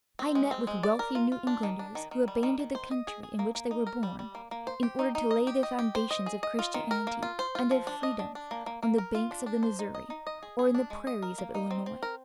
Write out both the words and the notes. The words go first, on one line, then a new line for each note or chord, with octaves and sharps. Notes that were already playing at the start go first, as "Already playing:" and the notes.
I met with wealthy New Englanders who abandoned the country in which they were born in order to lay the foundations of Christianity and of freedom on the banks of the Missouri, or in the prairies of Illinois.
C4
G#3
C4
G#3
D5
A#4
F4
F4
D4
D#3
D4
D#3
D#3
G3
D#3
D#3
C5
D#5
G#4
G#4
A#3
A#3
D#4
A#4
G3
G3
A#3
A#3
C5
G4
D#4
D#4
D#5
G4
D#5
G4
C5
D#5
G#4
D#5
F4
D#3
A#4
A#3
F4
C5
F4
F3
D4
D#5
D4
D4
A#3
A#3
A#3
A#4
F4
D4
D4
C5
D#4
D#5
D#4
D#5
G#4
G#4
D4
G#3
D#5
A#4
A#3
D#4
C4
C4
A#4